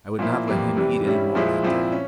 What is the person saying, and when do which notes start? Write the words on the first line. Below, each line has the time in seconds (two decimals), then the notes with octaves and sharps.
I would not let him eat any more that day.
0.19 A#2 F3 A#3 E4
0.48 F2 E3 G3 A#3
0.77 C3 E3 G3
1.05 G2 G3 C#4 E4
1.35 A#2 F3 G#3 E4
1.63 A#2 F3 C4 E4
1.92 C#4